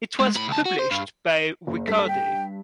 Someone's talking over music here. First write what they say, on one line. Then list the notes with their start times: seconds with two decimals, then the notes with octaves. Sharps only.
It was published by Ricordi.
0.20 G#3
0.36 A2 B5
0.48 C#2 A5
0.65 F#4
0.79 C5
0.91 G2
1.67 F#1
1.87 G2 A4 B6
2.08 G5